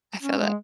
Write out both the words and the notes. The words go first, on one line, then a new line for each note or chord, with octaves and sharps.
I feel that.
C#4
G#3